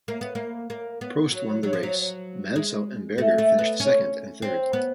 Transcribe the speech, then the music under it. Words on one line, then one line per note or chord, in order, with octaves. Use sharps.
Prost won the race; Mansell and Berger finished second and third.
A#3
B3
A#3
A#3
B3
F#3
F#3
F3
F#3
G#3
A3
A3
B3
C#4
C4
B3